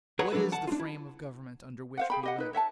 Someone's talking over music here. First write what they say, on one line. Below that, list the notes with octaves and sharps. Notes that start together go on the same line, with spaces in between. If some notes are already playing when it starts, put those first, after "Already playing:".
What is the frame of Government under which we live?
G#4 B4 C#5 F#5 A#5
F3 F#3 G#3 D4 A4 B4
F#5 A5
D4 F4
E4
C5 F5 F#5
G#4 G5 B5
G4 D#5 F#5
D#4 B4
C#5 E5 F#5 A5